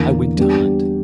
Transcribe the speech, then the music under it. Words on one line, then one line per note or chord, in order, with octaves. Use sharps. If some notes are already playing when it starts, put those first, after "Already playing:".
I went to hunt.
Already playing: E2 D3 A#3
G3 B3 D4 G4